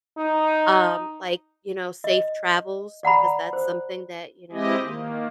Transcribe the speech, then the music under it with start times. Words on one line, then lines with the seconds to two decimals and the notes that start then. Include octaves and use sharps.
Um, like, you know, safe travels, because that's something that, you know,
0.18 D#4
2.04 D#5
3.03 D5 F#5 A#5 B5
3.53 C5
4.52 G#3 C4 E4 G4 D#5
4.85 D#3 A#3